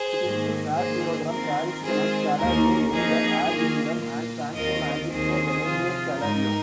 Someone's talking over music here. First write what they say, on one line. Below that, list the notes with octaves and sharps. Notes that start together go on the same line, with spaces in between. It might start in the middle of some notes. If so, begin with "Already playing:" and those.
It includes "Ad Theodorum Carystenum", "Scholario," "Eidem", "Ad eundem" and "Sancto magistro Gennadio Scholario".
Already playing: G#4 C5
G#2 D#3 A#3
F2 D#3 A#3 G#4 C5
D#3 C4 F4 A#4
D#3 G#3 C4 F4 G#4 C5
D#2 D#3 A#3 A#4
F2 F3 A#3 D#4 G#4
D#3 A#3 F4
A#2 A#3 F4
D#2 D#3 C4 F4 A#4 D#5
D#2 D#3 C4 G#4 C5
C3 F3 C4 F4
G#2 G#3 D#4 A#4